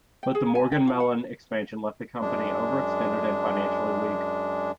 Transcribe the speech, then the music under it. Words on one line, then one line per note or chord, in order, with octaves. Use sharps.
But the Morgan-Mellen expansion left the company overextended and financially weak.
G5
G#4
G#5
G5
F4
F#5
F#2 G#3 D4